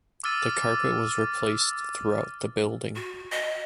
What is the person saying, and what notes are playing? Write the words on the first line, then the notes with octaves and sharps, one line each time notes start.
The carpet was replaced throughout the building.
D6 E6 F6 A6 D#7
F#4
D#5